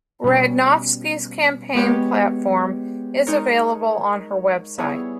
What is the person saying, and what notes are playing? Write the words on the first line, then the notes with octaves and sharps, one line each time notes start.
Radnofsky's campaign platform is available on her website.
B2 G3 C#4
G#3 B3 G4 C#5
G#3 D#4 A#4 C#5
G3 B3 E4 G#4 C#5